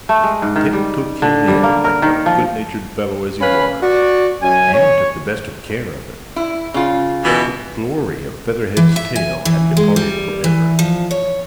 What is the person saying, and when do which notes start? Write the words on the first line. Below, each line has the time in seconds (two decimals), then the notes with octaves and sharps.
Tip took him in, like a good-natured fellow as he was, and took the best of care of him; but the glory of Featherhead's tail had departed for ever.
0.09 A3
0.24 G#3
0.42 G#2
0.56 D#3
0.73 G3
1.22 D3
1.48 G3
1.63 A#3
1.84 A#4
2.02 D#3
2.26 F3
3.41 C#4 B4 F5 B5
3.82 F#4 D5
4.42 F#2 G#5
4.74 C#5
6.36 E4
6.74 C#3 F4
7.24 B2 E3
8.77 E3
8.96 E5
9.16 G#5
9.45 E3
9.77 G#3
9.96 G3
10.44 E3
10.79 F3
11.11 C#5